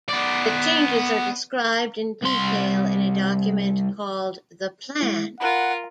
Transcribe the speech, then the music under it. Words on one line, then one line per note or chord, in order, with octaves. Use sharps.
The changes are described in detail in a document called "The Plan".
B3 D5
C2 C6
G#3 E4
F4 A#4 F#5 B5 F#6